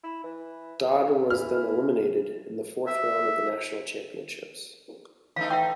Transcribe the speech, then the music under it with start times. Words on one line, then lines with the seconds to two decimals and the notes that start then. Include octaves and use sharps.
Dod was then eliminated in the fourth round of the National Championships.
0.04 E4
0.24 E3
0.95 A#2
1.30 E3 F6
2.87 E5
5.36 E3 A3 D#4 F5
5.51 E5 F#5 G5